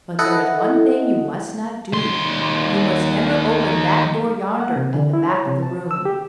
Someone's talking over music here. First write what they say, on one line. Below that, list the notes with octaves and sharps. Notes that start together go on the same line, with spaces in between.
But there is one thing you must not do: you must never open that door yonder at the back of the room.
E4 A4 D#5 F#5
D#2 C6
F#5
C3
D3
E4
C#5
C3
A5
E6
G4